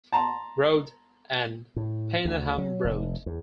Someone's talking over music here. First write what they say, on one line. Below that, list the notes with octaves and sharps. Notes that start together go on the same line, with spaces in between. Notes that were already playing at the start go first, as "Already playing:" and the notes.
Road and Payneham Road.
A5 A#5 C6
A2
D2
F#3
F1
E2